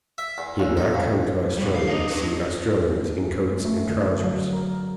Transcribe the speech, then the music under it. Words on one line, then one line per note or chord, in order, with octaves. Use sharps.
He had not come to Australia to see Australians in coats and trousers.
E5
E2
C#2
D#4
F2
A#2 G3
F5
D4 D#4
D4 B4
G#3
A3
D3
F#3
A#4